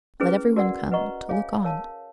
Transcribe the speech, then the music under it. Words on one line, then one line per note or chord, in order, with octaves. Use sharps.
Let every one come ... to look on.
C#4 E4 G#4 B4
F#4 A#4 D5 F#5
B4 D#5 F#5 A#5 C#6
G#4 C#5 F5 G#5
A#4 C#5 F5 A5